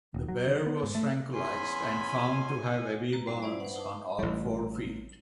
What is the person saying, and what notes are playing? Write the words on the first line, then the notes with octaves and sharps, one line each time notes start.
The bear was tranquilized and found to have heavy burns on all four feet.
D#1
F#3
D3
B3
G#2
A3
E2 C#4 G#5 B5 C6
F#4 B4 A#5
G#2 G3 G#5
C#4 E4 F4 C5 D5
G2 B4 C5 F#5
D#4 A5 D6
A1 G3